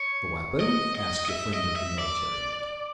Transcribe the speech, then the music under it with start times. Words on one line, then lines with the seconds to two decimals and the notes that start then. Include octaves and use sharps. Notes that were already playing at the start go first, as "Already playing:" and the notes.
"The weapon?" asked the friend of the military man.
Already playing: C#5
0.60 D#5
0.95 D#5
1.26 D#5
1.29 E5
1.53 D#5
1.76 E5
1.99 D5